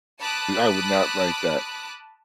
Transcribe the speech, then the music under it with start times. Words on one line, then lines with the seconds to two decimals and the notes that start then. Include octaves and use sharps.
I I would not write that.
0.19 A5 B5 D6 D#6 F#6